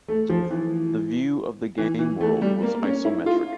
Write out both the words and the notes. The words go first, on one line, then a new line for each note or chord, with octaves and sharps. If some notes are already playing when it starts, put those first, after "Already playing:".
The view of the game-world was isometric.
A3
F3
E3
E3
E3
A3
G3
A#3
C#4
E4
F4